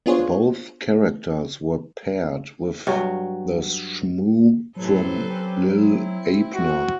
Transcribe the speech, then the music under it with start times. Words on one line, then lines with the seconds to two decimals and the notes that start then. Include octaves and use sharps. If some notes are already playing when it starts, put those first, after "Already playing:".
Both characters were paired with the Shmoo from "Li'l Abner".
0.06 B3 D4 F4 G#4 C5 C#5
2.87 G2 F#3
4.77 A2 C3 F#3 A4 B4 C5
5.28 C4 C#4 G4
5.77 C4 E4
6.55 F#4